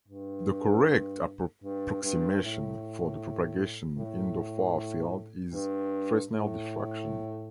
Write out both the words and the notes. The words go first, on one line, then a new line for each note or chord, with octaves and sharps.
The correct approximation for the propagation in the far field is Fresnel diffraction.
G2
G2
G2
A2
A2
G2
A2